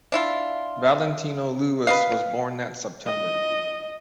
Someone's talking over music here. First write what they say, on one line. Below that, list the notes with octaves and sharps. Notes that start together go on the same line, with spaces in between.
Valentino Louis was born that September.
D4 E4 F4
B4 D#5 F5
D#5